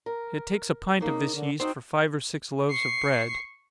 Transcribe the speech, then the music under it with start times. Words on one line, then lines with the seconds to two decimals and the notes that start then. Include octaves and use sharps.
It takes a pint of this yeast for five or six loaves of bread.
0.06 A#4
1.01 C#3 A#3 D#4
1.35 D3
1.60 C4 D#4 F#4 G5
2.70 C#6 C7